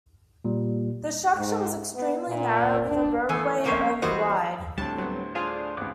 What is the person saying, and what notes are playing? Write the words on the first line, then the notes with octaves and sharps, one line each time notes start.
The structure was extremely narrow, with a roadway only wide.
A#2 G3
G#2
B3
A#2
D4
A2 E3 B3 A4 G#5
F3 A3 A#3 C4 C#4
E3 G3 F#4 C5 D#5
D2 A2 G3 C4 A5
F#3 B3 C5
D4 F4 G#4 C5 F5 G#5
G#1 C#2 B3 D6 F#6